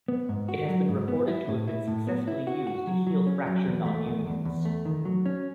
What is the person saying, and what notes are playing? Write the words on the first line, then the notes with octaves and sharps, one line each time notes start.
It has been reported to have been successfully used to heal fracture nonunions.
B3
G#2
F#4
F#3
G#2
B3
E4
A2
E4
A2
B3
E4
F#4
F#4
F#3
F#3
C#4
F#3
E2
A3
E2
E2
E2
A3
D#3
F#3
C#4